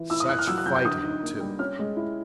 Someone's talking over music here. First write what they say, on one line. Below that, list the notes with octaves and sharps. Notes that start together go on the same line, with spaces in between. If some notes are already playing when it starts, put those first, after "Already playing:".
Such fighting, too!...
Already playing: E3
E4 E6
D#6
E4 F#6
F6
F#3 E6
F#6
F#3 G6
G6
D3 D#6
D#4
A#3
G3
C#4 F6
G#3
E4